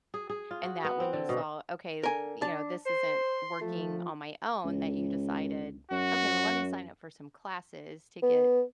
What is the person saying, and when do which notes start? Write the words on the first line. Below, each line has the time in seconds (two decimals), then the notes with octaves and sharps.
and that when you saw, "Okay," you know, "this isn't working on my own," that you decided, "Okay, well, let me sign up for some classes to get
0.14 G#4
0.30 G#4
0.51 F4
0.63 F#4
0.84 B3
1.00 C4
1.13 D3
1.29 B2
2.03 D3 A#4 G#5
2.42 D4 A5
2.86 C5 C6
3.61 F3 A3
4.65 C#2
5.92 F#2 F#4
8.22 B3